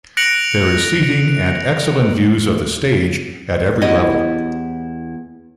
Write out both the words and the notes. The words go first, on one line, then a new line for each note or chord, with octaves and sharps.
There is seating and excellent views of the Stage at every level.
F#6 A#6 C#7 D7 F7 F#7
E2 B3 E4 G4 C#5 D#5